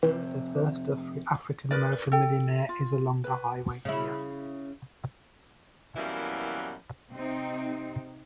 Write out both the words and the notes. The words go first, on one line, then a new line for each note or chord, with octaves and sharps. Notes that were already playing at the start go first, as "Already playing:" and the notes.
Walker, the first African-American millionaire, is along the highway here.
F2 C3
A#4 B4 D5
A4 G5
F4
B4
C#3 E4
F#2 B2 E3 G3 A#3 E4
C3 C4 D#4